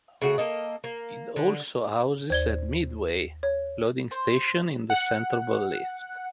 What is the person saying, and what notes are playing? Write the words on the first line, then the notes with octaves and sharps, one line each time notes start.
It also houses a "midway" loading station in the center of the lift.
C#3 A3 F#4
A#3 A4 D#5
A#3
D3
D#2 C5 D5 G#6 G7
C#5
C5
F#5